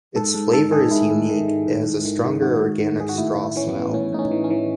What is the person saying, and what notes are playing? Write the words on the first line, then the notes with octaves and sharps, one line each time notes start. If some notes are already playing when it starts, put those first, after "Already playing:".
Its flavour is unique, it has a stronger organic straw smell.
G#2 A4
G#2
D#3 A4
D#3 G#4
G#2 E4
G#2
D#3
D#3
G#2
G#2
D#3
D#3
G#2 F#4
G#2
D#3
D#3 G#4
F#4
A2 E4
A2
E4
E3 C#4
B3
E3
A2 C#4
A2 D#4
C#4
E3
C#4
E3